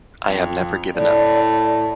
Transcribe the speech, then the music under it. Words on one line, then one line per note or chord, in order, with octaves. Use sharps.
I have never given up.
F2
A2 D5